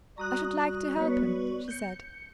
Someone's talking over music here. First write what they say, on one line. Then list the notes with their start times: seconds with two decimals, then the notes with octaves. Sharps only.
'I should like to help him,' she said.
0.18 G3 F#4 A#5 D#6 F#6
0.97 B3 B4 C#5
1.68 G6 C#7